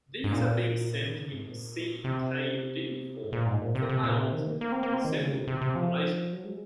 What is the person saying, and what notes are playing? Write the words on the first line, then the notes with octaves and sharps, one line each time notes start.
These are being sent in ckd form from Ireland and assembled in Malaysia.
G#2
A#2
D#3
C#3
G#2
A#2
C3
G#2
A#2
G#2
A#2
C3
C3
A#2
C3
D#3
A#3
A#3
C4
A#3
C4
D#3
C#3
C3
C3
C3
F3
F#3
G#3